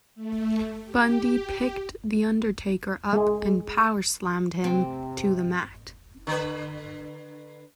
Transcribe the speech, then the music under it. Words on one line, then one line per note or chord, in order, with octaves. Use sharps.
Bundy picked The Undertaker up and powerslammed him to the mat.
A3
G4
G#3 G#4
C3 C4
D3 B4